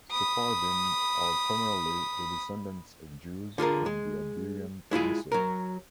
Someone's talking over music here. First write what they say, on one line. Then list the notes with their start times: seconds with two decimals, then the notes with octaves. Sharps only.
Sephardim are primarily the descendants of Jews from the Iberian Peninsula.
0.11 B5 D#6
3.58 D3 F4 G#4 A#4
3.86 G#3
4.91 G#3 E4 F4 G#4
5.32 F#3 A#4